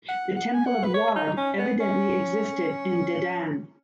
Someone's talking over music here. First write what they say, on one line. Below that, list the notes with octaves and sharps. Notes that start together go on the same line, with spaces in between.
A temple of Wadd evidently existed in Dedan.
F#5
F#5
G#5
F#5
B4
C#5
D#4
C#4
B3
C#4